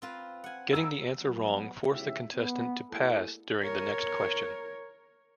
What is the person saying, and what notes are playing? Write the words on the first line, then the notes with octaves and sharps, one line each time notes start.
Getting the answer wrong forced the contestant to pass during the next question.
C4 F4 B4
F#5 G#5
D#3 A#3 E4 E6
F#3 B3
B1 G#2 C#3 E4 G4 E5
B3
G3 A3 A#3 E4 G#4 A4
A#4 C#5